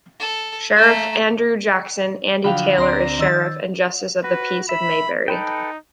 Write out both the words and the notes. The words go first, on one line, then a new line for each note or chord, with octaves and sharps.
Sheriff Andrew Jackson "Andy" Taylor is Sheriff and Justice of the Peace of Mayberry.
A4
A3 A#5
D3 F3 F#3 F5 G5 B5
D2 C4 D5 A#5 C6 A#6
D#3 E6 A6
F#4 B4
E5 B5
D#4 A4 B4 G5